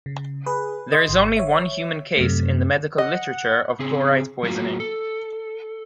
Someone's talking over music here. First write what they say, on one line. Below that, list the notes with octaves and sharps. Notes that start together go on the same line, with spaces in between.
There is only one human case in the medical literature of chlorite poisoning.
C#3
G#4 B4
D#5 C6
G#1
C#5 E5
F#2 C3 A3
D#5 F#5
C#3 C4 G#4
F#3 A#3 F4 F#4
A4